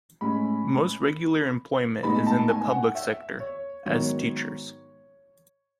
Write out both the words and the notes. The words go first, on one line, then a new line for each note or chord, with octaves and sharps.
Most regular employment is in the public sector, as teachers.
A2 G#3 C#4 B5
A2 G#3 B3 D#4 B5
A5
G#5
F#5
E5
C#5
G#2 D#3 F#3 B3 C#5